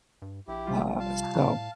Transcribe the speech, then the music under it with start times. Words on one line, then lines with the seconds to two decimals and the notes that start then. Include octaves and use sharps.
uh, so
0.22 G2
0.48 A#1 E4 G4
0.66 C3 G3 F4
0.99 F5 A5
1.44 A2